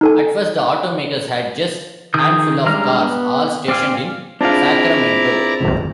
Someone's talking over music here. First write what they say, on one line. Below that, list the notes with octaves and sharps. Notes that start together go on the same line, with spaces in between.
At first, the automakers had just handful of cars all stationed in Sacramento.
D#4 A4 G#5
D#3 G#4 D#6 G6
G3 G#3 D4 A#5 F6
B3
C4 D5 F5 G#5
C4 D4 E4 F4 G#4 D5 F5 A#5